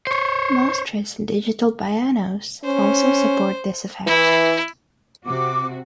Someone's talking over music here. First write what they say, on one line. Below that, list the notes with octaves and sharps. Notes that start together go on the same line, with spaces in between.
Most recent digital pianos also support this effect.
C5 C#5
C#4 C5
E3 E4
C3 F#4 D6